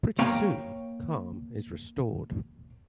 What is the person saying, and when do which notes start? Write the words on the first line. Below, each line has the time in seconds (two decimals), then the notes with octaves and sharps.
Pretty soon, calm is restored.
0.19 A#3 C#5 F5 G5 A#5